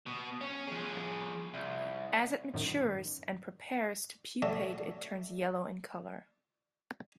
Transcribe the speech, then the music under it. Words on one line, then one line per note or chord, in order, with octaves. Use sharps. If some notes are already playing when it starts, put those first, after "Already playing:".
As it matures and prepares to pupate it turns yellow in color.
B2
C#4 C#5
F3 G#4
C2
F#2 A2 D#3
F#3 A3 D5 E5